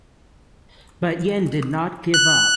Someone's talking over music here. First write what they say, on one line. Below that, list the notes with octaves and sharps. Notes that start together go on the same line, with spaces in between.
But Yin did not give up.
F#6